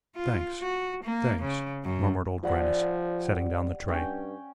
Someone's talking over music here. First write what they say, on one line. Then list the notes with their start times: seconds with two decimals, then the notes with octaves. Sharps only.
"Thanks, thanks," murmured Old Grannis, setting down the tray.
0.16 F4
0.61 F#4
1.04 A#3
1.41 C#3
1.84 F#2
2.43 F3 G3 F#5 E6
3.88 G2 C#4 G5